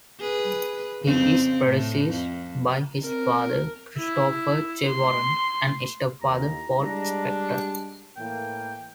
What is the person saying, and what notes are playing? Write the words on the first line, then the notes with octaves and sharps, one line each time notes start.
He is predeceased by his father, Christopher J. Warren and step father, Paul Spector.
G#4 B4
F2 C#3 C4
A2
F2
C4 A#4
E4
C6
D#2 A#5
G3 G#3 D4
A2 E3 A#3 G5